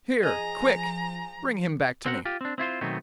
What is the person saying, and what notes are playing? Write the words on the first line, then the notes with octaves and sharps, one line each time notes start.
'Here! quick! bring him back to me.'
F3 G#4 D#5 G#5 A#5
C4 F#4 A#4 F#5
F4 G4
C4 D4
C4 E4 F4 C5
B2 D#3 F#3 A3 B3 C4